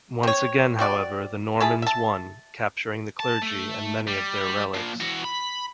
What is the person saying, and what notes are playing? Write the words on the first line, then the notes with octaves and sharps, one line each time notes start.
Once again however the Normans won, capturing the clergy and many of their relics.
C4 C#5
C4 F#4 D5
E4 G#4 A5 B5
E5 A5
A5
A3
G3
A#2 F3
E3 F#4
B5